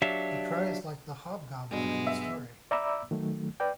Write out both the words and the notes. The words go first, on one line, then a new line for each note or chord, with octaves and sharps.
He cries like the hobgoblin in the story.
F#3 D4 G4 C#5 E5 F5
G2 B2 F#3 G#3 B3
E5
D5 E5 A#5 B5 D6 E6
D#3 F#3 A3
B4 D5 G5